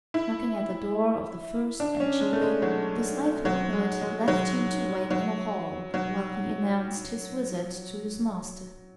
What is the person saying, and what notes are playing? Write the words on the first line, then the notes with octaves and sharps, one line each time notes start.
Knocking at the door of the first and chief, the slave who opened it left him to wait in a hall while he announced his visit to his master.
E4
D4
C#4
G#3
A3
G#3
F#3
F#3
G#3
G#3
F#3
F#3
F#3